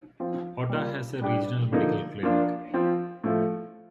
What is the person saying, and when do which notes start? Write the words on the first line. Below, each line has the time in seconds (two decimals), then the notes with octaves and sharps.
Otta has a regional medical clinic.
0.20 F3 C4 F4
0.70 G3 A#3 F4
1.22 G3 D4 G4
1.72 D3 F3 A#3 D#4
2.23 F3 A#3 D4 F4
2.74 F3 C4 F4
3.24 A2 F3 A3